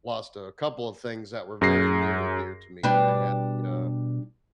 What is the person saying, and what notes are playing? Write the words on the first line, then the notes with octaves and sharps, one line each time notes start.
lost a couple of things that were very near and dear to me, I had, uh
F#2 G#4 A#6 C7
B2 G3 D4 B4